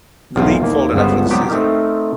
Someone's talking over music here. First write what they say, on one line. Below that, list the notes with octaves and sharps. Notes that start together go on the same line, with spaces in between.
The league folded after the season.
B1 E2 F4
D#2 A#3
G1 C#2 G2 B3 C5
F#3 B3 C4 D4 G4
A3 C4 D#4 A#4